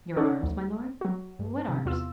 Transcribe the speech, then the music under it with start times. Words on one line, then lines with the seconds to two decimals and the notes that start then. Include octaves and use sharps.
"Your arms, my lord--what arms?"
0.16 C#4 D#4 A4 C#5 D5 F#5
0.43 D2
1.01 F#3 F#4
1.39 G2
1.69 C3
1.86 E2 F4 E6